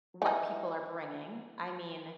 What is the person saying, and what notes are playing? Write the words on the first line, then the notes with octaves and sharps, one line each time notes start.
what people are bringing. I mean,
E3 D#4